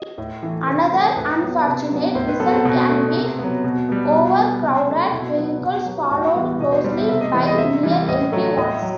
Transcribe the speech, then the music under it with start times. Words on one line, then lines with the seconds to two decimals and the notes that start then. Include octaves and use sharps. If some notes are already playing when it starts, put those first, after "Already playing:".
Another unfortunate result can be overcrowded vehicles followed closely by near-empty ones.
Already playing: D#5
0.18 A2
0.43 E3 A3
0.68 C3 C5
0.92 F#3 A3
1.17 A2 B4
1.41 F#3 B3
1.66 C3 B4
1.91 F#3 B3
2.15 A2 C5
2.28 B4
2.40 F#3 B3 A4
2.52 C4
2.65 B2 C4
2.89 A3
3.14 C3
3.39 F#3 B3
3.64 B2
3.89 G3 B3
4.13 B2
4.38 G3 B3
4.63 C3
4.87 F#3 A3
5.12 B2 E4
5.36 F#3 B3 E4
5.61 B2
5.81 G4
5.86 F#3 B3 F#4
6.10 A2 F#4
6.35 E3 G3 B3
6.59 B2 D#5
6.72 C5
6.84 G3 B3 C5
6.97 E5
7.09 C3 E5
7.21 D#5
7.34 E3 G3 B3 C5
7.47 D#5
7.58 C3 E5
7.83 E3 G3
8.08 A2 D#5
8.32 F#3 A3
8.57 A2 D#5
8.74 E5
8.82 F#3